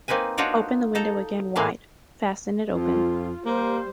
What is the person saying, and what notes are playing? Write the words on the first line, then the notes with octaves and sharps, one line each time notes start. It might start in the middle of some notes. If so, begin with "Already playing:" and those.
Open the window again wide: fasten it open!
A#3 C4 D#4 B4 G#5
D4 D#4 F4 F#4 C#5 D5
D#4 A4 A#5
A2 G#3 A#3 G#4 F5
F2 F4
G3 A#3 C5